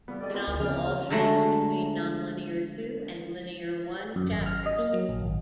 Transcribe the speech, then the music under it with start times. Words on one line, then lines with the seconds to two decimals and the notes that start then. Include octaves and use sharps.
The novel alternates between non-linear "Two" and linear "One" chapters.
0.08 C#3 E3 G3 B3
0.21 A3 G4 D5 D#5
0.34 B3 C4 E4 F4 A#4
0.47 D2
0.60 C#3 F3 B3 C4 G#4 B4 D5 F6
0.74 A#3
1.10 D3 F#3 G#3 A3 F#4
4.16 F#2
4.31 G#1
4.46 F6
4.66 D#5
4.79 A#3
4.93 F#3
5.09 A#1
5.22 G#1